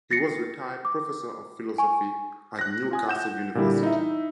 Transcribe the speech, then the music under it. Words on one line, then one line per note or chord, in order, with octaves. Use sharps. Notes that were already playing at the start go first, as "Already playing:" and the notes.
He was a retired Professor of Philosophy at Newcastle University.
A6 A#6 C7 C#7
D6
G#5 C#6
F#6 A#6
F4 G#5 D#6
F#5 G6 E7
A#2 D3 G3 E4
D#4 E4 E5